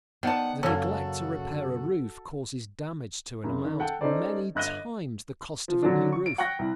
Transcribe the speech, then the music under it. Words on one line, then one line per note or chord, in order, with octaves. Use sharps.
The neglect to repair a roof causes damage to an amount many times the cost of a new roof.
D#3 B3 D5 F#5 G5 A5
F#2 C#3 A#3 C#4 F#4 A4
F#1 C#3
D#3
A4 F#5 G5 A5
C#4 D#4 A4 C5 D5
G1 D#5 F#6 A#6 D#7 G7
F3
D3 F#3 C#4 D4
C#6
D7
F#5 G5 C#6 F#6 A#6
C2